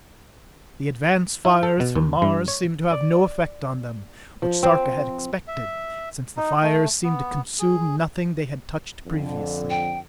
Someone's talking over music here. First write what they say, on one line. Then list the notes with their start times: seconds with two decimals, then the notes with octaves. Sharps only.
The advance fires from Mars seemed to have no effect on them, which Sarka had expected, since the fires seemed to consume nothing they had touched previously.
1.45 E4
1.63 A4
1.80 B2
1.95 D#2
2.22 G2
2.48 C#5
2.92 D5
4.42 F3
4.63 C4
5.48 E5
6.37 D#4
6.63 A3
7.04 B3
7.59 G#4
9.06 F2 D3
9.70 G5